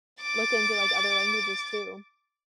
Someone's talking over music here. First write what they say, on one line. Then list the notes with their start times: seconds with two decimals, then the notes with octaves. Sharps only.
look into, like, other languages too.
0.22 D6 A6